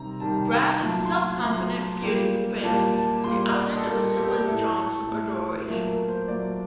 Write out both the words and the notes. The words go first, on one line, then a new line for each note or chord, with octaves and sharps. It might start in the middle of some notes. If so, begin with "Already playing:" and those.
Brash, self-confident beauty Franny, is the object of her sibling John's adoration.
Already playing: C3 D#3 G3 A#5
C3 D#3 G3 A5
G5
A#2 F#3 A3 A5
C6
A#5
A#2 F#3 A3
A#2 G3 A#3
A#2 G3 A#3 A5
A5
A#2 G3 A#3 C6
D#5
D5
A4
A#2 G3 A#3 A#4
G4
A4
G4
A2 A3 A4
A2 A3
A#2 F#3 A3 A#4
A#4
C5
A#2 F#3 A3 D5